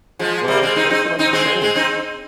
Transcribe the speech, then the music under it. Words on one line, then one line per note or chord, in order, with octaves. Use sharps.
Well, thanks so much for sharing.
F3 G#3
G3 A#3
G#3 C4
C4 D#4
C4 D#4
C4 D#4
G#3 C4
G#3 C4
C4 D#4